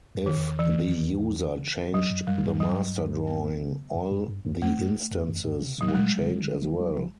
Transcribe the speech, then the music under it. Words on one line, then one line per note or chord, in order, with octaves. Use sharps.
If the user changed the master drawing, all the instances would change as well.
F2
D#3
E2
E3
F2 F#3
F#2
F#2 G3
G2
F#3
B3
F#2
F#2
G2
F#2
F2 A3
F#2
F2
F#2
G2
C3
A2 F#3
G3
A#2 G#3
C#3
D3
D#3
F#3
F3